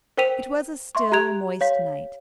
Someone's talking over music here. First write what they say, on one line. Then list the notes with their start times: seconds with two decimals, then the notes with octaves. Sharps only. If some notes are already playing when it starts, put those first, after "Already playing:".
It was a still, moist night.
0.18 A#4 C5 G5 B6 D#7 F7
0.95 E5 C6 C#6
1.12 G4 A#5 F#6 G#6 F7
1.61 C#5 F5 B6